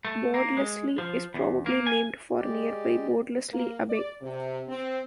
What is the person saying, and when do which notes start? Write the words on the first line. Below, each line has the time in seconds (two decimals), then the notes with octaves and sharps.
Bordesley is probably named for nearby Bordesley Abbey.
0.05 A3
0.34 A#3
0.57 G#3
0.98 F3
1.34 E2
1.66 A#3
1.87 G#5
2.38 G#3 G4 D5
3.52 A#3
3.89 D5
4.22 C3
4.68 C4